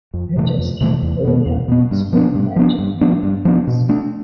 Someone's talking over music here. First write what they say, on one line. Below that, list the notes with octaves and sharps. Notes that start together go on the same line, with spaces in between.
I just kept pulling out these little magical moments.
F2
C3 E3 A3
F2
C3 E3 A3
E2
B2 B3
E2
B2 B3
G2
F3 B3 D4
G2
F3 B3 D4
G2
F3 B3 D4
G2
F3 B3 D4
B2
A3 D4